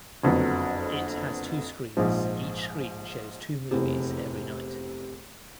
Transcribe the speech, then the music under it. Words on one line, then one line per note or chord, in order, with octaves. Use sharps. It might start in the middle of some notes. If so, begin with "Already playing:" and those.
It has two screens; each screen shows two movies every night.
F#1 F2 D3 F#3 B3
A#1 G#2 F3
F1 E2 C3